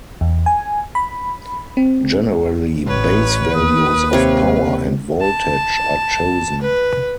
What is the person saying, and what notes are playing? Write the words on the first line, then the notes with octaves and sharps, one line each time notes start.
Generally base values of power and voltage are chosen.
E2
G#5
B5
C4
A1 B4 C#5
D#2 D#6
C3 C#5 F5
A5
B4